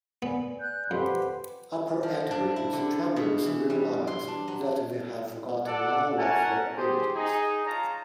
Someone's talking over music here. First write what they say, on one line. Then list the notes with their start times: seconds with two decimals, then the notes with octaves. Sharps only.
Upon entering, the travelers realize that they have forgotten all of their abilities.
0.22 B3 D5 G#5
0.61 F#6 G6
0.91 F2 G4 B4 C5 F#5 B5 C6
2.03 F3
2.31 D4
2.56 E4
2.73 D3
3.16 B2
3.46 E3
3.70 G3
4.07 C6
4.28 D4
4.48 F#3
5.66 A4 D5 F#5
6.18 C#4 F#4 A#4 F#5 G#5 A5
6.76 G4 G#4 C5
7.16 D#4 G#4
7.66 F4 C#5 A5 A#5